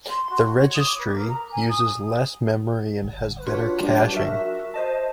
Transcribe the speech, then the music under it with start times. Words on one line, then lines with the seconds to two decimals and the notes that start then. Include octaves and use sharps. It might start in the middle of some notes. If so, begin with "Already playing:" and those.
The registry uses less memory and has better caching.
0.10 C6
0.30 F#4
0.57 C#5
0.74 D#6
0.87 D6
0.98 B4
1.13 A#4
1.28 A#5
1.52 G#5
1.69 D#6
3.03 G1
3.46 D4 F4 F#4 B4 C#5
3.80 F#3 G3 D4 G4
4.12 F#4 A#4 E5
4.74 C5 D#5 A5